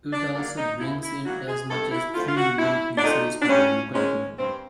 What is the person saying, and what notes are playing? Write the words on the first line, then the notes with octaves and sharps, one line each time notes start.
It also brings in as much as three million pesos to the local economy.
D4
D#3 F#3 A#3 D4
D#4
D#2 E4
E4
D#3 F#3 A#3 F#4
G#4
G2 A4
E4
D3 F3 A3 C4 F4
F4
F#4
G2 E4
D4
D3 F3 A3 C4 D#4
D4
G2 C#4
D#3 G#3 C4 C#4
G2 C4